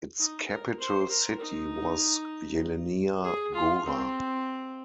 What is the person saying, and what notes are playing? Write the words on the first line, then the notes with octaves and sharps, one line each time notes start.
Its capital city was Jelenia Gora.
D#4
A#4
C5
A#4
D#4
G#4
F4
C4